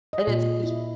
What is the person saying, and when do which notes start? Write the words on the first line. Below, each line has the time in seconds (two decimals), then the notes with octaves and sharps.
And it's e
0.13 D#5
0.27 A#2
0.64 E4